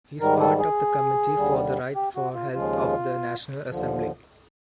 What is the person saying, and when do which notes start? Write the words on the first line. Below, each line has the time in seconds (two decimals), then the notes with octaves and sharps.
He’s part of the Committee for the Right for Health of the National Assembly.
0.20 G#2 D#3 G3 A#4
0.40 A4
0.59 G#4
1.37 D#2 D3 G3
1.95 G4
2.15 F#4
2.35 F4
2.54 D#2 C#3 F3 G#3 F4
3.70 D#2 D3 F3